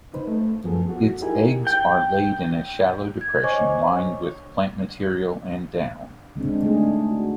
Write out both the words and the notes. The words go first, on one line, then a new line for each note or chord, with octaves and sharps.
Its eggs are laid in a shallow depression lined with plant material and down.
D#4 B4 C5
A3
F#2 F3 B3 G#4 A4
F#4
D#4 E4 G4 G#4 A#4 G#5
G5
G#6
C5 C#5 D#5 G#5 C#6 D6
D3 G#3 C4 D4
A3 D4 D#4 G#4
F#4